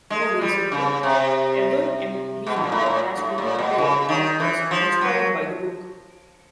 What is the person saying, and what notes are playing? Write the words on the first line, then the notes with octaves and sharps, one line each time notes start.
More recently, Evan M. Wiener has written a play, "Captors", inspired by the book.
G#3
G3
C#3
C3
B2
A#2
A2
A#2
A2
A#2
B2
C#3
D#3
E3
F3
F#3